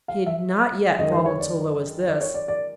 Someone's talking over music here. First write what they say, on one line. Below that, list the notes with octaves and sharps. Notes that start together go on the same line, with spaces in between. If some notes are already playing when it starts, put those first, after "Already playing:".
He had not yet fallen so low as this.
F5
E5
F#2 D#3 G#3 D#5
C5
C#5
D5
D5
C#5
D5
D5